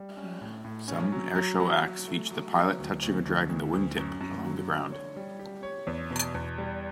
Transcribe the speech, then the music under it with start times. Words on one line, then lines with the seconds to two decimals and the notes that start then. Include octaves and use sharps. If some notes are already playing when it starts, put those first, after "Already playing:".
Some airshow acts feature the pilot touching or dragging the wingtip along the ground.
Already playing: G3
0.17 C#4
0.41 A2
0.64 A2
0.88 C#4
1.12 F#3
1.35 F#3
1.60 F#3
1.83 F#3
2.07 A3
2.31 F#3
2.55 F#3
2.78 D2
3.02 D2
3.25 D2
3.49 D2
3.73 D2
3.97 F#2
4.21 F#2
4.45 F#3
4.68 D3
4.92 C#5
5.16 G3
5.39 G4
5.63 C#5
5.87 E2
6.11 B2
6.34 E2
6.58 G3